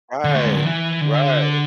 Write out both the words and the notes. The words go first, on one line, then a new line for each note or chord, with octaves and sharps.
Right, right.
D3
A3
G#3
F#3
E3
D3